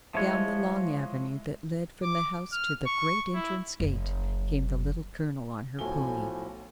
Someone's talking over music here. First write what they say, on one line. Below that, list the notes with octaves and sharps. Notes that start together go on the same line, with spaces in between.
Down the long avenue that led from the house to the great entrance gate came the Little Colonel on her pony.
F3 G#3 E4 C#5
D6
F6
C#6
E4
F#1 F#2
B1 A2 F3 A3 G#5 G7